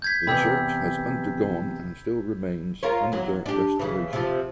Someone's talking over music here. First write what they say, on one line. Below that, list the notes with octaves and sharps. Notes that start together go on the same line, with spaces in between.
The church has undergone and still remains under restoration.
G6 G#6 B6
E2 G2 C3 B5 E6 G6
F4 A#4 C#5
E2 F#3
D4 G4
C#3 E3
C3 F3